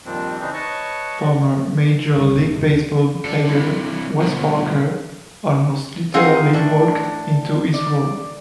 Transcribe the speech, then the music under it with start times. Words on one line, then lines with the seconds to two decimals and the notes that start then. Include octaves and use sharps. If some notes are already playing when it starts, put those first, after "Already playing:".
Former Major League Baseball player Wes Parker almost literally walked into his role.
0.05 F2 A#2 D#3 G3 C4 D4
0.40 C#3 E3 C4 D4 D#4
0.54 B4 C#5 D#5 A5 C#6
2.17 C2 D3 D#3 G3
2.36 E1 D2 A#2
2.54 F2 C#3 F3 C4
2.67 D#2
3.25 D4 A4
3.46 C3 E3
4.22 D2 B2
6.14 C4 D#4 F4 G#4 F5 F#5
6.53 A2 D4
7.74 D5